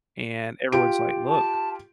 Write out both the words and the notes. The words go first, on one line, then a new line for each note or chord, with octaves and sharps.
and everyone's like, "Look,
F4 G4 D7
A5